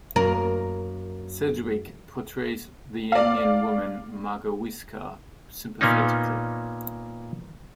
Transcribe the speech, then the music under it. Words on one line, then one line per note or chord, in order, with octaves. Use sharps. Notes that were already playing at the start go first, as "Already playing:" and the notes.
Sedgwick portrays the Indian woman "Magawisca" sympathetically.
F#2 A#3 A#4
D5 F5
A#2 A#3 B3 C#4 D#4